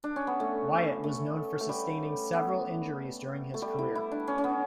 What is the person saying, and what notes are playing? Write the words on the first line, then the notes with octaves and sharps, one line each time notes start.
Wyatt was noted for sustaining several injuries during his career.
D4
C#4
B3
A3
A3
A3
G3
B3
A3
G3
E4
E4
D4
C#4
C#4
B3